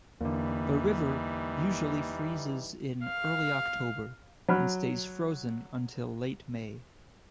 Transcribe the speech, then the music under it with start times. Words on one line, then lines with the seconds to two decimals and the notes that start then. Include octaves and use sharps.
The river usually freezes in early October and stays frozen until late May.
0.21 E2 D3 E3 G3 A#3 D#4
3.04 F5
4.49 F#3 B5 F6